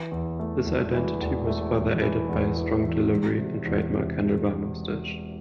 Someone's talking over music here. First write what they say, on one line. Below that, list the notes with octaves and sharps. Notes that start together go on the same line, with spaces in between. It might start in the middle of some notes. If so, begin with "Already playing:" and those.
This identity was further aided by his strong delivery and trademark handlebar moustache.
Already playing: E3
E2
A3
E1
E3
E1
A3
E1
E3
E2
E3
E3
E1
C3
E2
C3